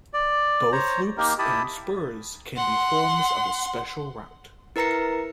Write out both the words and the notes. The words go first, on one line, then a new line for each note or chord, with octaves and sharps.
Both loops and spurs can be forms of a special route.
D5
C5 C#5 A#5
A#3 D#4 G4 A#4
E4 G4 A5 B5 D#6
F#5 C6
E4 A#4 B4 A#5 A#6 C#7